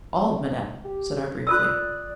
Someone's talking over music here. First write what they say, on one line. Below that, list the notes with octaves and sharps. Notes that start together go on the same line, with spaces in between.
"All, madame," said I, briefly.
C4
G4
F4 A4 D5 D#6 E6 F#6